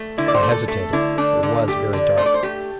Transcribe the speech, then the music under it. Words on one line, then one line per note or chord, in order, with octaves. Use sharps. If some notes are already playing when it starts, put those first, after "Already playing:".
I hesitated: it was very dark.
Already playing: A3
D3 E4
D5
C5
A3
A4
A3 A4
D3 E4
A3 D4
D3
A3 G4
D3 D4
A3 C5
D5
C5
A3 G4